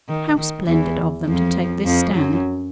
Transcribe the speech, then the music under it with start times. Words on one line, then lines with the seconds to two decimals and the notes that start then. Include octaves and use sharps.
How splendid of them to take this stand!
0.08 D#3
0.38 D#3
0.68 E2 E3
1.26 F2 F3
1.85 F2 F3
2.15 F#2 F#3